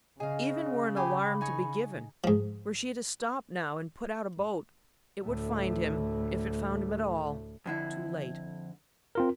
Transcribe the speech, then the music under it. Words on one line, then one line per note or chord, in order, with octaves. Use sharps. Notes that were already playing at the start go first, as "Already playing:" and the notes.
Even were an alarm to be given, were she to stop now and put out a boat, it would find him, if it found him at all, too late.
C#3 G#4 D#5 F5
G4 G#4 G#5 B5
D#4 G#5 C#6
G#2 F3
D2 A2
F2 D3 E4
C4 F4 A#4